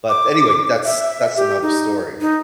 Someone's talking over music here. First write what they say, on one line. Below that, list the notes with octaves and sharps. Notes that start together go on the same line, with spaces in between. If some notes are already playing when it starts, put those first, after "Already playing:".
But, anyway, that's that's another story.
D6
E5
G4
D#4
D#4